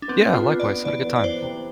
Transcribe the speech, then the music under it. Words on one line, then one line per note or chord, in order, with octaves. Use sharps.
Yeah, likewise, had a good time.
D4
B3 C4
B3
F4
D4
D5
B3
E3 D5
B3
D5
E3 C5
C3